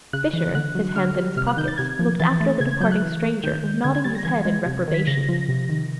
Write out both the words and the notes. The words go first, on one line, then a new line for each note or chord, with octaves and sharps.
Fisher, his hands in his pockets, looked after the departing stranger, nodding his head in reprobation.
C#3 F#6
E3
D3 F#6
F#3
D3 F6
G3
C3 F6
F#6
D#3 G6
A6
C3 G#6
F3
E3 A6
A3
C#3 G#6
G#6
F#3 G6
F#6
E3
A3
D#3 G6
G#3
D3 G#6
G#6
G3 A6
A#6
E3 G#6
G#3
C3
D#3
B6
C#3 A#6
F3
C3
D#3